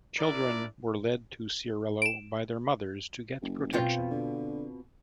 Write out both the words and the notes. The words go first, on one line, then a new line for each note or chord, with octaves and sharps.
Children were led to Ciarallo by their mothers to get protection.
D4 E4 A#4 D5
D7 E7
F#1
B2 C4 F4
D3